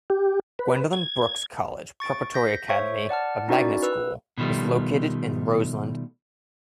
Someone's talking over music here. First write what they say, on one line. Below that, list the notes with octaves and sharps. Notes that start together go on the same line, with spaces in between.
Gwendolyn Brooks College Preparatory Academy, a magnet school, is located in Roseland.
G4
B4
G#6
C#6 A6 D7
G6 A#6 B6
C5 C#5 E5 C#6
D5 F#5 A5 F6
C#4 D#4 E4 F#4 A#4 D5
B4 E6
B2 D#3 F3 G3 A3